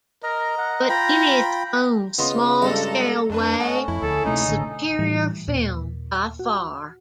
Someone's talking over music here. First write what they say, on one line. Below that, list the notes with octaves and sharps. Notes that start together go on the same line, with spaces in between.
But in its own small-scale way a superior film by far.
A#4 D#5 A#5
F#5
F4 G5 A#5 B5
C#3 B3 F4 D#5 C6
G2 G#3 A4 A#5
F2 A3 D4 B4
C#4 D#5 F#5 A5
F2 E4
D2 G#4 A4
C3 A3 C#4 D#4
G#1 A2 D3 A4 D#5
A2 E3 G3
D#2 A#2
F#4